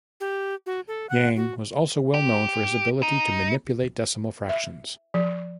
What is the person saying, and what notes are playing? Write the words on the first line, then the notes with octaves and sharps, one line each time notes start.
Yang was also well known for his ability to manipulate decimal fractions.
G4
F#4
A4
F#5
F#4
G4
D#4
E5
F3